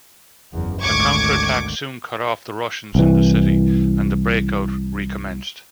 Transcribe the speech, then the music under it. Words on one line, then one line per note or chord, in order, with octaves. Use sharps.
A counterattack soon cut off the Russians in the city, and the breakout recommenced.
F#1 E2
G#1 D2 C#6 D6 G#6
C2 E3